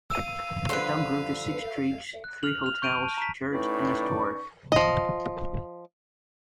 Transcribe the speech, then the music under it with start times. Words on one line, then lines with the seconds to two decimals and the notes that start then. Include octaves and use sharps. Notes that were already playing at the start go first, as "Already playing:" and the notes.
The town grew to six streets, three hotels, church and a store.
0.10 F5 E6 D#7
0.69 G2 D3 F3 B4 C6
2.24 F#6
2.43 F6 F7 F#7
2.64 F6 F7
2.82 C#6 G6 D7 D#7 F7
3.03 A5
3.18 A#5 B6
3.52 A2 C#4 D#4 B4 D5 C#6
4.72 F3 D#5